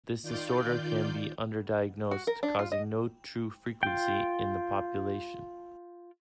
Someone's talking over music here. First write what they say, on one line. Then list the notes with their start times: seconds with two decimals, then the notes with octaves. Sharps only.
This disorder can be underdiagnosed causing no true frequency in the population.
0.23 D#3 F4 D5 G6
2.11 F#4
2.27 A#4
2.43 D4
2.59 F4
2.72 D#5
3.83 F4 G5